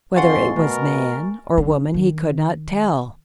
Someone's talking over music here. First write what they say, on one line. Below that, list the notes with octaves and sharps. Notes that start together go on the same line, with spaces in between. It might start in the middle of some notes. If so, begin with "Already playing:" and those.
Whether it was man or woman he could not tell.
F2 F5 F#5 G#5 C6 C#6 A6
B2 A3 A#4
D4
D#3